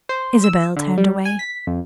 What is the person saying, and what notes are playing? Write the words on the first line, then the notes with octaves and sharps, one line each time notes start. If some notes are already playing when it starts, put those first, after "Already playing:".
Isabel turned away.
C5
E6
D3
G3
G#5
B6
F2